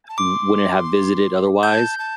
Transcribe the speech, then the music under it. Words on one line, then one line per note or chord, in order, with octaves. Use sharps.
w wouldn't have visited otherwise,
A5
C6 D6
A5 G6
A5